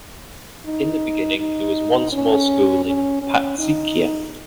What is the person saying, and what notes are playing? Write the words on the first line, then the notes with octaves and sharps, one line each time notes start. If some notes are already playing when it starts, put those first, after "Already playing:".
In the beginning, there was one small school in Patzicia.
D#4
D#4
C#4
C#4
C#4
D#4